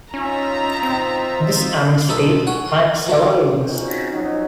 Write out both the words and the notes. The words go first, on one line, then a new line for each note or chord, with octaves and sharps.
This amnesty had several limits.
C#4 D#4 F4 E5 A#5
C4
B1 D#4 A4 B5 D#6
C#4 C#5 F#5
E3 F#3 D4
C4 C#4 D#4 F4 F#4 G#4
F3 F#3 C#4 D#4